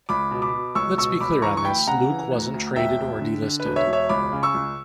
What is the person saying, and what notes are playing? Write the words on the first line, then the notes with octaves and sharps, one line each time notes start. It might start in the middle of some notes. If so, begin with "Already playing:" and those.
Let's be clear on this, Luke wasn't traded or delisted.
C#2 B5 D6
B2
B5 D6
B2
C#2 C#6 E6
B2 C#6 E6
C#2 B5 D6
E3 A#5 C#6
C#6
D2 G5 B5
C#3 F#5 A#5
E3
D2
D2
E1 E5 G5
D2
D3
D3
B4
E1
C#5 E5
E1
C#5 E5
C#2 B5 D6
C#3
C#6 E6
C#2